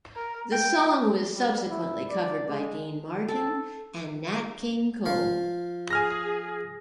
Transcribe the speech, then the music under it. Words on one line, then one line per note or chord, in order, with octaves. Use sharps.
The song was subsequently covered by Dean Martin and Nat King Cole.
A#4
G5
G3
E4
D5
G#3
A4
F3 F5
G#4 G#5 F6 A#6